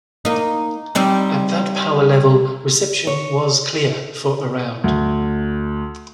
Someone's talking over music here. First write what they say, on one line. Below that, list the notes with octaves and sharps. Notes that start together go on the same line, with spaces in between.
At that power level, reception was clear for around.
A#3 D#4
G3 C4 D#4
C#5
D2